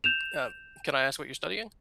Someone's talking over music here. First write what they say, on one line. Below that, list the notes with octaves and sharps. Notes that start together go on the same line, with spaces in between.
Uh, can I ask what you're studying?
G6 E7 F7